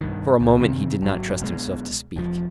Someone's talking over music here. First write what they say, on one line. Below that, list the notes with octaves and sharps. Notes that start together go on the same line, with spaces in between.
For a moment he did not trust himself to speak.
B1 G2 D#3
C#2
C3 D#3 G3 C4
G#1 F#3
B1 B2 G#3
E1 F3